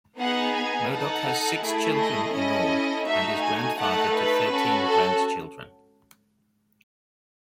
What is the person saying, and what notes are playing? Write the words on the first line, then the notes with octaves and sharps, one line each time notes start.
Murdoch has six children in all, and is grandfather to thirteen grandchildren.
B3 D#4 G#4 F#5
G#5
D#4 A4 F#5
A3 E4 G#4
D#5
C#4 E4 A4 D#5
A3 D#4 F#4 E5
G#5
A3 D#4 A4 F#5
B4
C#4 F#4 A4
A4